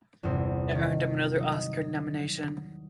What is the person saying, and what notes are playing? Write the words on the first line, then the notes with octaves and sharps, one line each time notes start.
It earned him another Oscar nomination.
G1 E2 C3 C4
D#3
F#3 D#4